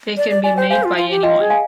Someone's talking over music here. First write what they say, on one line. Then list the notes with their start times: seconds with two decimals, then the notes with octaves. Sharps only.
They can be made by anyone.
0.17 D5
0.31 D5
0.44 D5 G#5
0.57 C5 G5
0.70 C5 F5 G#5
0.84 F4
0.97 F4
1.10 G4
1.23 F4 D#5 G5
1.40 G#4
1.50 F5 G#5